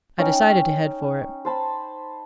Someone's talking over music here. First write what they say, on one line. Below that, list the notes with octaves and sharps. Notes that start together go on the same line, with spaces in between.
I decided to head for it.
C#4 D#4 G5
C5 A5 B5